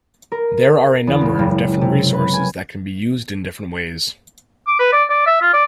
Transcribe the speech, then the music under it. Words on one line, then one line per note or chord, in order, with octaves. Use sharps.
There are a number of different resources that can be used in different ways.
A#4
E2
C#2
F#1
C3
B4
G#5
D6
B4
D5
D5
E5
F4
D5